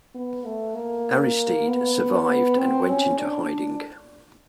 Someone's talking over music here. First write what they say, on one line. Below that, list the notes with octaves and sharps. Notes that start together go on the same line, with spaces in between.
Aristide survived and went into hiding.
B3
A3
A#3
B3
C4
C#4
D4